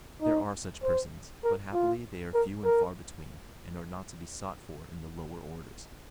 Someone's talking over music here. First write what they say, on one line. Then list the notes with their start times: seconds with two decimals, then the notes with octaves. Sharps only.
There are such persons, but happily they are few and far between, and are not to be sought for in the lower orders.
0.22 D#4
0.83 C5
1.44 A#4
1.73 F4
2.34 A#4
2.64 A#4